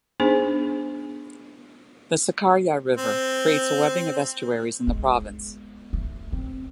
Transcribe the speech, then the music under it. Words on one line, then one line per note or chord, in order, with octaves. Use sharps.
The Sakarya River creates a webbing of estuaries in the province.
B3 D4 D#4 G#4 C5
C4
G#3 B3
A3
C4